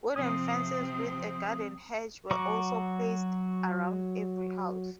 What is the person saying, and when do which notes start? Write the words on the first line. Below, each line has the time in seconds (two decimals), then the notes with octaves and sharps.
Wooden fences with a garden hedge were also placed around every house.
0.16 C3 F3 C4 D#6
2.31 F#3 F#4 A#5 C#6 D6